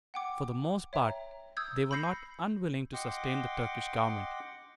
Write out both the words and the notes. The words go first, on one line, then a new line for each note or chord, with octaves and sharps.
For the most part, they were not unwilling to sustain the Turkish Government.
F#5 G5 D6
C#5 E5 G5 A#5
D#6 E6 G6 G#6
B5 E6 G6 A#6 C7 C#7
D#5 F#5 G5 C6 D6